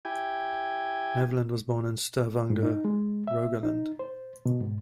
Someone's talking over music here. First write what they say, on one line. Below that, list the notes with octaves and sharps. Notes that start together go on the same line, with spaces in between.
Nevland was born in Stavanger, Rogaland.
E4 G4 G5 G#5
G#2
D#4
G#3
E5
D#4
C5
B2
G#2